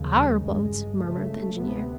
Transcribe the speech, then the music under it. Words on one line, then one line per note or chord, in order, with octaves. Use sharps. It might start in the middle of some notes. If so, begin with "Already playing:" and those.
"Our boat?" murmured the engineer.
Already playing: F1 D#2 C#3
G3
G#1 G2 G#3
C#2 C#3 A3
D2 C3 B3